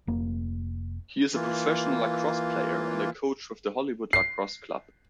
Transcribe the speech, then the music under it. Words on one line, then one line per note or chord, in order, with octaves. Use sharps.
He is a professional Lacrosse player and coach with the Hollywood Lacrosse Club.
F1 A#3
E3 A#3 F4
C7